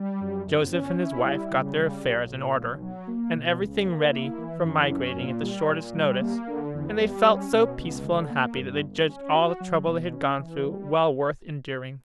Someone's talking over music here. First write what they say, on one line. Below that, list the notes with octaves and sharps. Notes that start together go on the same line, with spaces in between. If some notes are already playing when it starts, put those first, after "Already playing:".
Joseph and his wife got their affairs in order, and everything ready for migrating at the shortest notice; and they felt so peaceful and happy that they judged all the trouble they had gone through well worth enduring.
Already playing: G3
F#2
G1
C#4
E4
G3
C#3
G3
B1
A#2
B1
F#3
A#3
B2
C#2
A#3
E4
E3
F#2
C#4
A#2
G3
A#2
G3
A#3
D3
E2
G3
C#4
B2
C#2
D3
A#3
G2
G1
C#4
F#4
F#3
B2
C#4
E3
G3